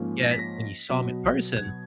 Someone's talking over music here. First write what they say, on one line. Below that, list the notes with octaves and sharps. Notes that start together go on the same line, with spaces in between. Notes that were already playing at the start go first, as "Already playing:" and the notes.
Yet when you saw him in person,
Already playing: G#2 F3 A#3 C#4
A#6
B6
A#6
B2 F#3 B3
G#6